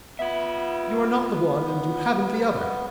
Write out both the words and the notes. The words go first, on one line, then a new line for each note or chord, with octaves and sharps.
But you are not the one and you haven’t the other.
B3 F4 E5